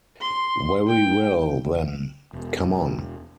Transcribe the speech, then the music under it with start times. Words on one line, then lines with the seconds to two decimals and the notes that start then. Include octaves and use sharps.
Very well, then; come on.
0.21 C6
0.87 G5
2.33 E1